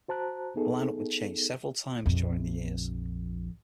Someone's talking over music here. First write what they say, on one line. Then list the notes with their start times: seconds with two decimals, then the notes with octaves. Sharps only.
The lineup would change several times during the years.
0.08 F#4 C5 A5 A#5 F#6
0.56 B3 D#4 G#4 A4
2.06 A#1 F2